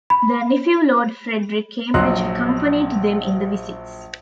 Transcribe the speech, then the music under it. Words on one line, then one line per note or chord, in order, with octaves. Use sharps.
Their nephew Lord Frederick Cambridge accompanied them in the visits.
B5
A#1 F#3 D#5 C6 F#6